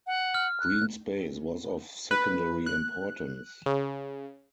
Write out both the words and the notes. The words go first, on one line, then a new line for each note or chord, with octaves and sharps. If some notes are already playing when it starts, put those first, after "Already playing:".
Green space was of secondary importance.
F#5
F6
F#6
B4
F#6
C#3